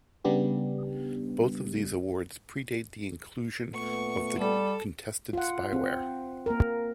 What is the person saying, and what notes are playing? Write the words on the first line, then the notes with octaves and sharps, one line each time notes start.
Both of these awards predate the inclusion of the contested spyware.
C#3 G3 B3 D4 G4
A#2 A3 B3 C#6
G3 A4
F4 F#5
C4
A#3 A#4